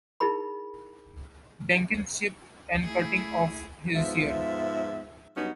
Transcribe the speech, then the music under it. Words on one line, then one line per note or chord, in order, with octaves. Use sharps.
Jenkin's ship and cutting off his Ear.
D#4 E4 G#4 A#4 B5
A3 E4 G#4
G#2 F3 B3 F4 E5
G2 F#3 B3 C#4 D#4 F#4